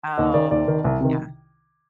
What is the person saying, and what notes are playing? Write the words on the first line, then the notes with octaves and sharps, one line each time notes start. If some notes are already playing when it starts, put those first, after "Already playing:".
Oh, yeah.
D#2 D#5
D#3 D5
D#2 D5
D#3
C2
C3 D#3